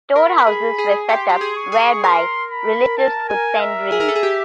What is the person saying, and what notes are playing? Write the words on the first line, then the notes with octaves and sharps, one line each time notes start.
Storehouses were set up whereby relatives could send relief.
A#4 B5
G#4
G#4
G4 C6
G4
G#4
C#6
G#4
A#4 C6
B5
A5
G#5
E5
G#4
A#4
A4
G#4
G4